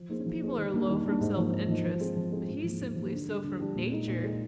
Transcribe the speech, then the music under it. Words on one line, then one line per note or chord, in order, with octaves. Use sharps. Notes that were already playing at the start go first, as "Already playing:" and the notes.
Some people are low from self-interest, but he's simply so, from nature.
Already playing: F3
A#3 D#4 G#4 C5
F3
A#3 D#4 G#4 C5
D#3
G3 A#3 D4
D#3
G3 A#3 D4
G#2
F3 A#3 D#4
G#2
F3 A#3 D#4
F3
G#3 C4 F4 G#4
F3
G#3 C4 F4 G#4
G#2
F3 A#3
G#2
F3 A#3
D3
G3 D4 G4
D3
G3 D4 G4
A#2
G#3 D#4
A#2
G#3 D#4